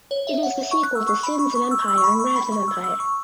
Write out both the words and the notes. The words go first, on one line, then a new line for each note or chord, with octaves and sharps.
It is the sequel to "Sins of Empire" and "Wrath of Empire".
C#5
E5
F#5
C#6
F#6
E6
C#6
B5
C#6
C#6
E6
E6
C#6
B5
C#6
B5
C#6
E6
E6
C#6